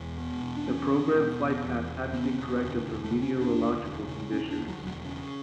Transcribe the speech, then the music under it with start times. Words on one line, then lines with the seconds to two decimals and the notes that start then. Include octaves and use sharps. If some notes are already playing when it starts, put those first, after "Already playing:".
The programmed flightpath had to be corrected for meteorological conditions.
Already playing: E1 E2
0.18 B2
0.42 E1
0.57 D4
0.67 E2 C#4
0.92 E1
1.16 B2
1.40 E1
1.65 E2
1.88 E1
2.13 C#3 B3
2.37 E1
2.61 D2
2.86 E1
3.04 A3
3.10 C#3
3.22 C#4
3.35 E1
3.41 D4
3.59 D2
3.84 E1
4.08 C#3
4.32 E1 C#4
4.51 D4
4.57 D2
4.68 F#3
4.81 E1
4.87 F#3
5.05 C#3